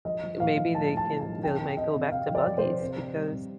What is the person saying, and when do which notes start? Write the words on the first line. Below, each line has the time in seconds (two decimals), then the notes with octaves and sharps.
maybe they can they'll might go back to buggies because
0.05 F3 D#5
0.23 F3
0.40 A2 F5
0.57 F3
0.74 A2 A5
0.92 A2
0.97 A5
1.09 A2
1.20 A5
1.26 F3
1.43 C3 G5
1.60 C3
1.77 C3 D#5
1.95 C3
2.11 C3 F5
2.29 F3
2.35 D5
2.47 F3
2.58 C5
2.63 C3
2.81 C3
2.98 C3
3.15 G3
3.32 C3